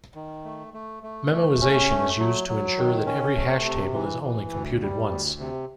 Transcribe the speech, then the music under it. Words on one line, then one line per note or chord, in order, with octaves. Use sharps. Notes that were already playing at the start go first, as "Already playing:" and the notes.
Memoization is used to ensure that every hash table is only computed once.
D#3
A3
A3
A3
A3
C#4
A3
F#3
F#3
D#3
C#4
A3
C3
E3
E3
D2
G3
D2
C3